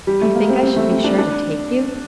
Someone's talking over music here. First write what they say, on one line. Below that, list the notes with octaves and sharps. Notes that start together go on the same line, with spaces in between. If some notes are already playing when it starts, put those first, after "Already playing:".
"You think I should be sure to take you."
G3
A3
A#3
C4
C4
A3
C4
D4
D4